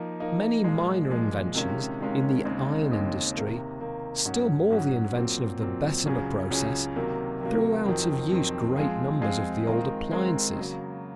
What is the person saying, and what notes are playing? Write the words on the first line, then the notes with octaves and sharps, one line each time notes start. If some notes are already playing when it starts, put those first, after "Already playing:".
Many minor inventions in the iron industry, still more the invention of the Bessemer process, threw out of use great numbers of the old appliances.
Already playing: F3 A#3 D#4
F3 A#3 D#4
A#2 F3 G#3
A#2 F3 G#3
C3 D#3 G#3 C#4 F4
C3 D#3 G#3 C#4 F4
D#2 C#3 G#3 C4 D#4
D#2 C#3 G#3 C4 D#4
C3 D#3 A#3
C3 D#3 A#3
G#2 F#3 C#4 F#4
G#2 F#3 C#4 F#4
A#2 F#3 C4
A#2 F#3 C4
C#2 C#3 F#3 C#4 G#4
C#2 C#3 F#3 C#4 G#4
C3 D#3 F#3 A#3
C3 D#3 F#3 A#3
F2 D#3 F#3 C4
F2 D#3 F#3 C4
F3 G#3 C4 F4 G#4
F3 G#3 C4 F4 G#4
D#3 G#3 C4 F4 A#4
D#3 G#3 C4 F4 A#4
C#3 F#3 A#3